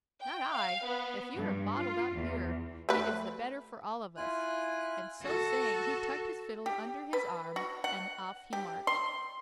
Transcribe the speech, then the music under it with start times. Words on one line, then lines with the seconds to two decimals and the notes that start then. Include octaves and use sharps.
"Not I; if you are bottled up here it is the better for all of us;" and, so saying, he tucked his fiddle under his arm and off he marched.
0.23 G5
0.53 F5
0.84 B3
1.35 G2
1.79 F4
2.17 E2
2.89 A3 B4
4.16 E4 F4 G#5 F#6
5.22 F#4 A4
6.66 G4
7.13 B4
7.56 F#4
7.84 F#5
8.53 G4
8.87 C6